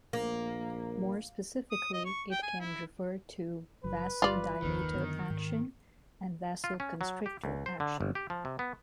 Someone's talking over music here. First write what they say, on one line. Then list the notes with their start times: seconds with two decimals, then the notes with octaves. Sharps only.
More specifically, it can refer to vasodilator action and vasoconstrictor action.
0.13 A#1 A#3
1.71 D#6
1.93 D#5
2.05 C#6
2.31 G5
2.43 G#5
2.60 E4
3.84 F#1 F#3 B4
4.22 G1 G3 F4 D5
4.62 F#1 D#2 D#3
4.94 F#2 D3 B3
5.30 G#2
6.64 F4
6.80 C#4
7.01 F#3
7.26 G4
7.44 C#2
7.66 C5
7.80 D3
8.01 G1
8.15 G4
8.30 F3
8.45 C3
8.59 B3